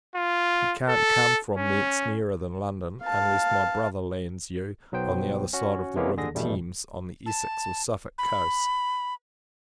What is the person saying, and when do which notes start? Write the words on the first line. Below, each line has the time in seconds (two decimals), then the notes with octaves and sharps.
You can't come from thence nearer than London, unless my Brother lands you on the other side of the river Thames, on the Essex or Suffolk coasts.
0.15 F4
0.89 A4
1.57 C#4
3.03 F5 A5
4.92 B1 F#3 B3 C5 G5
5.53 C#4 F#4
5.96 C3 E3 G#3 A#3 B3 C#4
6.17 D#2 D3 G#4 A#6
6.34 A#1 E2 G2 B2 G3 A3
7.26 A5
8.18 B5